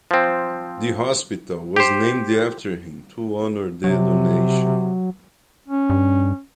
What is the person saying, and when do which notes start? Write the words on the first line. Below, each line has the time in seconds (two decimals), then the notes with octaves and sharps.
The hospital was named after him to honor the donation.
0.11 F3 C4
1.76 G4 C5
3.84 C3 F#3
5.68 C#4
5.90 G2